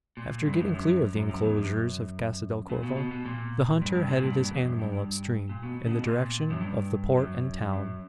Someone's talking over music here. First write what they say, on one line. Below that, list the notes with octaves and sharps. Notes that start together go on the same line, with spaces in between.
After getting clear of the enclosures of Casa del Corvo, the hunter headed his animal up stream--in the direction of the Port and town.
A#2
G2
F#2
F#2
F#2
F#2
F#2
E2
F#2
A#2
B2
B2
B2
A#2
G2
G2
A#2
G2
G2
E2
F#2
G2
G2
A#2
B2
C#3
B2
A#2
F#2
G2
F#2
F#2